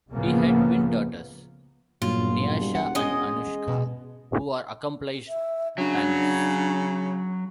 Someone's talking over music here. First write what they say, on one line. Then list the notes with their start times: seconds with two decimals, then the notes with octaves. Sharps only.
He had twin daughters, Niasha and Anuska, who are accomplished pannists.
0.11 C#2 A2 C#3 F3 A#3 B3
2.02 E1 G2 A#2 F#3 F4
2.62 G3
2.75 F#5
2.95 G#3 C#4 D#5
3.68 B2
5.28 E5
5.78 C#3 F#3 D4